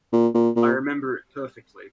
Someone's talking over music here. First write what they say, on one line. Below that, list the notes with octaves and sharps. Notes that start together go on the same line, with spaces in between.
I remember it perfectly.
A#2
A#2
A#2